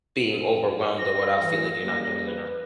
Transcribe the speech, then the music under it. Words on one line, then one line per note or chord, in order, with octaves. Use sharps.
being overwhelmed or without feeling, like, you're not doing enough.
A#6
A2 E3
C#3 G3 A#3
B4